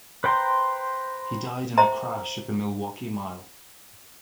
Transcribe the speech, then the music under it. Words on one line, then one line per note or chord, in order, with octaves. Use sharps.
He died in a crash at the Milwaukee Mile.
B4 C5 G5 A#5 C6
C5 E5 A#5